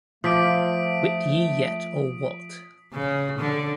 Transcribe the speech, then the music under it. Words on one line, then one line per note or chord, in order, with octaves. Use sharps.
Wit ye yet, or what?
F3 A3 F5 A5 D6 D#6 B6 D7
C#3
D3